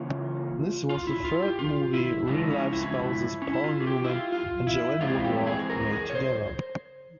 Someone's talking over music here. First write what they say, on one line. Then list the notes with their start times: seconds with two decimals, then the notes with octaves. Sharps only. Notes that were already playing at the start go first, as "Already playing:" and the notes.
This was the third movie real-life spouses Paul Newman and Joanne Woodward made together.
Already playing: C#3 E3 A#3 C#4 F4
0.90 F4
1.07 E4
1.25 F4
1.42 G4
1.59 F4
1.94 E4
2.27 C#3 F3 G#3 E4
2.51 C#4
2.73 E4
2.84 C#4
2.94 E4
3.42 C#4
3.53 E4
3.64 F4
3.80 G#4
3.87 G4
4.04 E4
4.09 F4
4.32 F4
4.67 E4
5.01 F2 E3 G#3 C4 F4
5.24 G4
5.47 G#4
5.70 A#4
5.92 G#4
6.10 C#5
6.15 C5